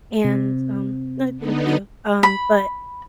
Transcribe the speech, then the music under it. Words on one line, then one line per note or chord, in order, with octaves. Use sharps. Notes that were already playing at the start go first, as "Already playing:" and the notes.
And, um Oh, thank you. Um, but,
C3
D3 B3 D#4
B5